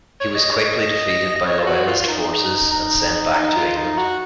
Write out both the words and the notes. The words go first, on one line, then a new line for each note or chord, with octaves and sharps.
He was quickly defeated by loyalist forces, and sent back to England.
C#5
D#5
C#5
D#5
D#5
C#5
F4
F#4
F4
F4
D#4
D#4
D#4
F4
D#4
F#4